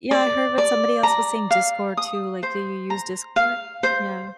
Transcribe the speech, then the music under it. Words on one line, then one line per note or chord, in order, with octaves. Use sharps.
Yeah, I heard what somebody else was saying Discord too. Like, do you use Discord? Yeah.
D5
D5
A#5
F5
D#6
C5
A#5
F5
C5